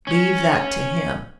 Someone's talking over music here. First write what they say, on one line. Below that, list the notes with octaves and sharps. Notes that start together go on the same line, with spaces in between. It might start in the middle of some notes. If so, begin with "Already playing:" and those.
"Leave that to him."
C#4